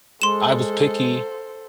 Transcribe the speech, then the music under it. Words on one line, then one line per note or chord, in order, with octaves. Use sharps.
I was picky,
G#3 A4 C5 C6 E7